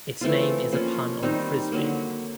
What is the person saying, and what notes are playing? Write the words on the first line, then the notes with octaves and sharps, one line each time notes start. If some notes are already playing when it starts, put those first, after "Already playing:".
Its name is a pun on frisbee.
E3 A3 C4 F4
F3 A#3 C#4 F4
D#3 G3 C4 D#4
D3 F#3 A#3